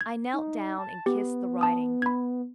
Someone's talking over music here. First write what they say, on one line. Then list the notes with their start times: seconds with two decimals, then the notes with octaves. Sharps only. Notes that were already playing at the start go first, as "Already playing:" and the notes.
I knelt down and kissed the writing.
0.01 G#6
0.33 D#4
0.78 A5
1.06 B3 G4
1.61 A5 D#6
2.02 B5 G#6